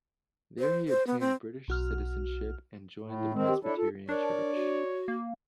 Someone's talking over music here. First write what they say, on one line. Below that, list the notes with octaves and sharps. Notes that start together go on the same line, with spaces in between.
There he obtained British citizenship and joined the Presbyterian church.
C5
C5
B3
C4
B1 F#4 F6
A2
E4
D#3 G#3 C4
G4
D4 E4 A4 C#5
F4 A4
D4 A#4 C#5 D5
F#4
A#3